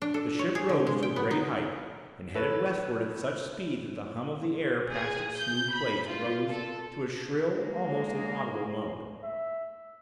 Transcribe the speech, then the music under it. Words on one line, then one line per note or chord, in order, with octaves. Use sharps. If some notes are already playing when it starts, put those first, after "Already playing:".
The ship rose to a great height, and headed westward at such speed that the hum of the air past its smooth plates rose to a shrill, almost inaudible moan.
D4
A4
C#5
G#4
D3
G#3
G5
B3
D#4
A4 B4 C#5
G#4
G6
B5
F4
A4
G#3 A#3
E5